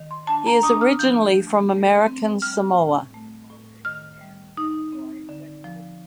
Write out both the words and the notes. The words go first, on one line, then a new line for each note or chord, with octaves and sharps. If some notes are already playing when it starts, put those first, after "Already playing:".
He is originally from American Samoa.
Already playing: D#3
C6
D4 A5
A#5
D4 D#6
F6
F3 G6
A3
A3
C4
G3 F6
A2
A3
A2
D#3 F6
G3
D#4
C4
D3
F3